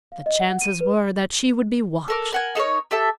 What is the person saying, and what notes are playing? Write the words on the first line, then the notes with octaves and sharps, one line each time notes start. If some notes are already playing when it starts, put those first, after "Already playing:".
The chances were that she would be watched.
F5
D#5
F#5
D#7
B4
A4 A#4 D6
A#4 F#5 G#5
D#4 A4 A#4 C#5
G4 A4 E5 A5